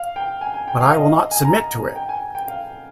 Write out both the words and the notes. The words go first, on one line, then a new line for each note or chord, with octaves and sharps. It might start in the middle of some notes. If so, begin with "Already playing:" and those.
But I will not submit to it!
Already playing: F5
G5
G#5
G#5
G5
F5
D#5
F5
G#5
A#5
G5
G#5
G5
F5